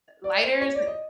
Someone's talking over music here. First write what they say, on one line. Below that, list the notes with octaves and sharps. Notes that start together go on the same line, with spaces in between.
lighters and
D5
C5
C#5
D5
D#5